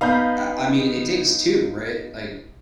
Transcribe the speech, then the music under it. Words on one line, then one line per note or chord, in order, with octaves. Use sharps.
I I mean, it takes two, right, like
B3 D#4 F5 B5 G6